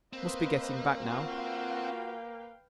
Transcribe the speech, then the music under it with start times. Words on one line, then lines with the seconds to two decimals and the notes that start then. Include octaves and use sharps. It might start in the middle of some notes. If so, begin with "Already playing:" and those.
Must be getting back now.
0.13 A#3 C4 B4 C5 D#5
1.03 F4 F#4 B4 F5 G5